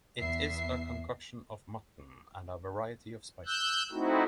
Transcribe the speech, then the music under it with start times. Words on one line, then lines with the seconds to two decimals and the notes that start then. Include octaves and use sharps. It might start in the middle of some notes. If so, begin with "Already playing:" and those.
It is a concoction of mutton and a variety of spices.
0.18 E2 B3 E5 C7
3.46 E6 F#6 G6
3.92 A3 C4 D#4 E4 F#4